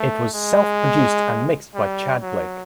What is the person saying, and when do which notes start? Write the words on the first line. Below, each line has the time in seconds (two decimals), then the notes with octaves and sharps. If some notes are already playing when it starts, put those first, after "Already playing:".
It was self-produced and mixed by Tchad Blake.
Already playing: A3
0.35 G#3
1.75 G3
2.21 F#3